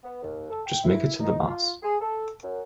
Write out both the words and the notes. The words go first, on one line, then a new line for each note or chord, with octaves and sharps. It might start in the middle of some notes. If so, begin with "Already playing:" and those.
Just make it to the Meuse.
B3
D#2
A4
G5
E4
D#4
F4
G#4
A4
F#2